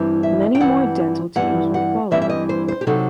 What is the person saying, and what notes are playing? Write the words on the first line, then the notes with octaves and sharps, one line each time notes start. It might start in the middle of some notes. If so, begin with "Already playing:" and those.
Many more Dental teams would follow.
Already playing: G2 E3 G3 C4 E4
E5
G5
G2 E3 G3 C4 E4 F#5
G2 E3 G3 C4 E4 F#5
F#5
G2 E3 G3 C4 E4 E5
E5
D#5
C5
C5
G4
C3 F#3 C4 D#4 A4